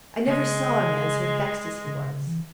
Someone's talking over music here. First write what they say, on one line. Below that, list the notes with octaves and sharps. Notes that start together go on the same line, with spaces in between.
I never saw a man so vexed as he was.
C#3 G#3
C#3
C#3
E3